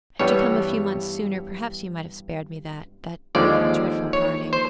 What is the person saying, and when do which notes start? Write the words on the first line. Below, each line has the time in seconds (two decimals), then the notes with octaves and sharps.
Had you come a few months sooner perhaps you might have spared me that--that dreadful parting.
0.20 G2 E3 G3 B3 C#5
3.35 D#2 D3 F3 G#3 D5
4.13 C#5
4.53 C5